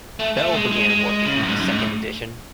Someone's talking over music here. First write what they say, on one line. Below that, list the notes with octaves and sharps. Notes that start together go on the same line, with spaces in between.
Bell began working on a second edition.
A3
A3
G#3
G#3
G#3
C#3
A2
F#2
G#2
F#2
G#2
A2